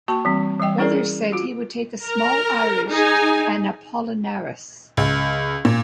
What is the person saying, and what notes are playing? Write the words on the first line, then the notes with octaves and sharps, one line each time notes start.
Weathers said he would take a small Irish and Apollinaris.
A#3 F#4 A5 C#6
E3 G3 C4
E3 G3 D#5 G5
C#4 E4 G#4 A#4 D5
G#4
F4 F#4
A#4 A#5
D#4 G#4 G#5
C#2
A#2